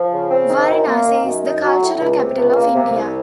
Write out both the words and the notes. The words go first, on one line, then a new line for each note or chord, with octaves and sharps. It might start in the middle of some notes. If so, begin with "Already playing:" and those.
Varanasi is the cultural capital of India.
Already playing: F3
C#3
C4
D#3
F#2
A#3
D#3
F#2
D#4
F#3
A2
C#2
C3
C#2
A#3
C3
C2